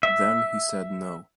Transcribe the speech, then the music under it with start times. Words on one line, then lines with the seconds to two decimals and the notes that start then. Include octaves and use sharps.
Then he said no.
0.03 E5